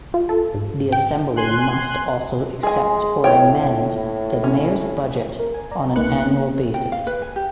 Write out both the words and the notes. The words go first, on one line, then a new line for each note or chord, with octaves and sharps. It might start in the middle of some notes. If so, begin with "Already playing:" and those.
The assembly must also accept or amend the Mayor's budget on an annual basis.
F4
A4
G#2
G5
G#5 C6 F#6
G#3 G#4 G#5
A2 C#5 G5
C#4
A#4
G#5
D5 A#5
C2 A#3 D#4 B4 F#6 C#7
C4
G5
F5
B4
G#5
G4